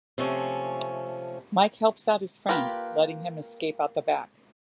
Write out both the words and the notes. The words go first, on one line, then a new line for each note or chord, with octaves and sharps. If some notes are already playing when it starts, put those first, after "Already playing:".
Mike helps out his friend, letting him escape out the back.
C3 F3 A3 C#4
A#3 F4 G4 B4